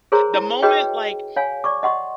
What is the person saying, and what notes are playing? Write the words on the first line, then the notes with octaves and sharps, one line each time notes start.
The moment like,
G#4 A#4 C5 C#5 A#5 C6
E4
F#4 G#4 B4 C#5 D#5 G5
C#5 F5 G#5
D5 C#6 D6
D#5 F#5 C6 C#6